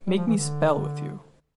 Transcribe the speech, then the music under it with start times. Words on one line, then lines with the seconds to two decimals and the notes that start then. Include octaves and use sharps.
Make me spell with you.
0.07 G3
0.17 F3
0.27 E3
0.37 D3